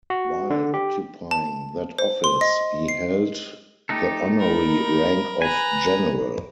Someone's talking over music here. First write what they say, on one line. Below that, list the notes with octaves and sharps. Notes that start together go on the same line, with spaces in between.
While occupying that office, he held the honorary rank of general.
F#4
D3
G4
A5
C5
C6
D#5
C7
A3 D#4 G4 A4
A#4 B5
B4 G#5 A#5